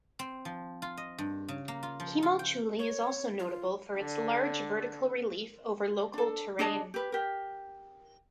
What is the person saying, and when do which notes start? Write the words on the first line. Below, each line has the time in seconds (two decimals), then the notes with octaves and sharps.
Himalchuli is also notable for its large vertical relief over local terrain.
0.19 C4
0.45 F3
0.82 F4
0.97 D#5
1.18 G2
1.48 C#3
1.68 A#3
1.83 F4
2.00 F3
2.23 F4
2.39 G5
2.79 C#5
3.39 F4
3.98 D3
6.14 D4 A4
6.59 D4 G#4 D#5 A5
6.94 G4 B4
7.12 G4 A#4